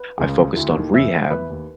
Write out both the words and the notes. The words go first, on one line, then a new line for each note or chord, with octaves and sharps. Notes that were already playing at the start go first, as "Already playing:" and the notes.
I focused on rehab
Already playing: B4
C#2 C#3 G#4
D2 D3 E4
D3
D#2 D#3
E2 E3 E5
E2 E3 B4
D#2 D#3